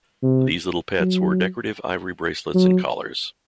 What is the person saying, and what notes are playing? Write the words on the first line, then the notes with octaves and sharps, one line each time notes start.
These little pets wore decorative ivory bracelets and collars.
C3
F#3
F#3